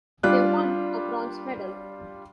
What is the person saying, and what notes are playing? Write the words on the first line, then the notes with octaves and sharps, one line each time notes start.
They won a bronze medal.
G3 D4 F4 D6 F#6